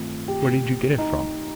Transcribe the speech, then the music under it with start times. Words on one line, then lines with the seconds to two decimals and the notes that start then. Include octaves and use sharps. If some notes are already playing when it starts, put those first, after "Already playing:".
Where did you get it from?'
Already playing: G2 D#3 A3 C4 F4
0.28 G4
0.98 D#4